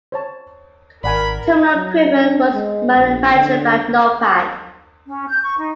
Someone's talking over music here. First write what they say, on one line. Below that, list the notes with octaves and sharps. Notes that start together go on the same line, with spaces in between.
Terminal equipment was manufactured by Norpak.
C5 C#5 A5
G#1 A#4 D5 F#5 G#5 B5
F#3
D4
G#3
A#1
D3
C#4
G6
C#6
D#4